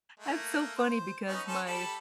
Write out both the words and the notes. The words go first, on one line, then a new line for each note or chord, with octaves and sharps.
That's so funny because my,
A3 A#3
C5
B3 C#4 D#4
C#4 A4 C5
G3 A4 B5